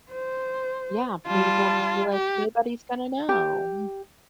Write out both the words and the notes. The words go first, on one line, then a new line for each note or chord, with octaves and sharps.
Yeah, people just be, like, nobody's gonna know, mm.
C5
G3 F4 A5
G4
G4